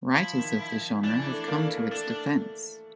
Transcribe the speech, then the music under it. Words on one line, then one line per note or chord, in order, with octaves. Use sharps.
Writers of the genre have come to its defense.
F3 E4
D#3
E3 D4
E3
A3
A#3
A3
A#3
A3 D4